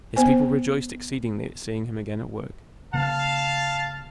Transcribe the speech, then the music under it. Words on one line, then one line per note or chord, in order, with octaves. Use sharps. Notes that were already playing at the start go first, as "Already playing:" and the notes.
His people rejoiced exceedingly at seeing him again at work.
B3 C5 G#5
C#3 A#3 F5 A5